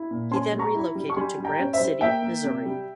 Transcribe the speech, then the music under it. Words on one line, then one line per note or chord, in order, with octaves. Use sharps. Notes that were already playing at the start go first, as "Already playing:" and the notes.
He then relocated to Grant City, Missouri.
Already playing: E4
A#2
C#4 G#5 C6
G3
A#5 C#6
E4
G3
C#6
G3 G#5 C6
G3
G5 A#5
C#4
C5 E5
G3
A#3 E5 G5
A#3
C3
G3